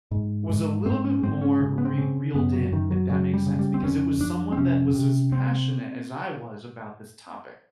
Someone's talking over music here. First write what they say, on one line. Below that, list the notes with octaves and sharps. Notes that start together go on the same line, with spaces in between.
was a little bit more re reeled in, if that makes sense, because it was someone that was as passionate as I was about this topic.
G#2
G#2
G#2 C4
C#4
G#2 C4
C#4
C#3
B3
C4
C#3
F#2 B3
F#3
F#2 D#3
F#3
C#3 F#3
G3
C#3
G3
C4
F2 C#4
F2 D4
C4
C3 C#4
C3
C4